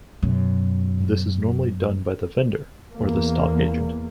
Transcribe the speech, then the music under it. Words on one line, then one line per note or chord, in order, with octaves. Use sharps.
This is normally done by the vendor, or the stock agent.
F#2 B2
E2 A#3